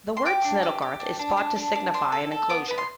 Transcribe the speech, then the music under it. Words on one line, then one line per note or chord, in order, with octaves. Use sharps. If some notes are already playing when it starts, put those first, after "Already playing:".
The word "Snittlegarth" is thought to signify an enclosure.
C6
G4 D6
D4
G4
G4
D4
D4
D4
D4
D4
D4 C6
A4
A4
B3 D6
B3 B5
C6